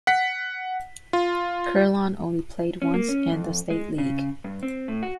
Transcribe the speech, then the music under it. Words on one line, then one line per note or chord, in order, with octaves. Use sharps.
Kerlon only played once in the state league.
F#5 B6
F4
C#4
A#3
C#4
F2
G#3
C#3
G2
C4
A2
F#4